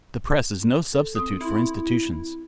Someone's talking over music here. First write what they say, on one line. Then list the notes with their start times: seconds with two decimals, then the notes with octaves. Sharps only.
The press is no substitute for institutions.
0.93 A4
1.15 C4 D#6
1.41 E4 E5 C6